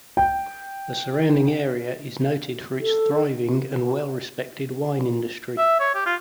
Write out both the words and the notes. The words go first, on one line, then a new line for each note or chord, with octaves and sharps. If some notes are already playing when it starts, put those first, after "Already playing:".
The surrounding area is noted for its thriving and well-respected wine industry.
G5
A4
E5
C#5
G4
F4